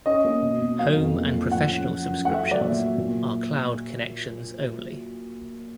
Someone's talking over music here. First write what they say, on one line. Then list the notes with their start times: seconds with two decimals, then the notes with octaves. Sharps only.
Home and Professional subscriptions are cloud connections only.
0.06 C#4 D#5
0.25 A#3
0.42 B2
0.62 B2
0.79 F#3 F5
0.97 F2
1.15 A#3
1.34 F3
1.51 A2 F#5
1.69 C#4
1.88 F3
2.07 F#2
2.24 A3 F#5
2.34 E5
2.42 F#3
2.51 D5
2.61 A#2 E5
2.80 F#3
2.98 A#2